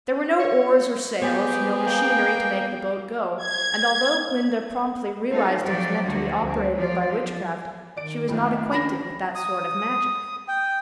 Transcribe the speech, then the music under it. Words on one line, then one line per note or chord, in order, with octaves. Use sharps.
There were no oars or sails, no machinery to make the boat go, and although Glinda promptly realized it was meant to be operated by witchcraft, she was not acquainted with that sort of magic.
C#5
B3 C4 G4 G#4
A#3 G5
G#6
A3 D#4 F4 A4
F3 F#3 G4 D5
D2 D3 F3 G3 A#3 F#4
D2 C4
F3 F4 D5
F3
D#3 D5 D7
F2 D#3 F3 A3
C#4 B5 A#6
D#6
G5